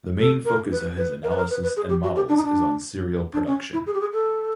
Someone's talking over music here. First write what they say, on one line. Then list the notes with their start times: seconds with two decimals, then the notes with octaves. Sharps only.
The main focus of his analysis and models is on cereal production.
0.19 A4
0.45 A#4
0.72 B4
0.97 B4
1.24 A#4
1.30 B4
1.37 A#4
1.50 B4
1.63 B4
1.76 G#4
1.89 G4
2.03 F#4
2.15 G4
2.29 D4
2.37 D#4
2.44 D4
3.33 D4
3.47 C#4
3.73 E4
3.86 G#4
3.94 G4
4.01 G#4
4.13 A4